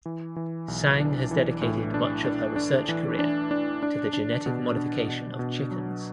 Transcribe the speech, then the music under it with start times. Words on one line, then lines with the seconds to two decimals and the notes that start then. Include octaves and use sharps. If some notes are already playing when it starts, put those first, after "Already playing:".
Sang has dedicated much of her research career to the genetic modification of chickens.
0.06 E3
0.36 E3
0.68 B1
1.00 D4
1.31 E3
1.62 A2
1.94 D4
2.25 D4
2.56 D4
2.89 E3
3.19 D4
3.51 D4
3.83 D4
4.13 D4
4.46 B2
4.77 D4
5.08 B2
5.39 B2
5.71 F#3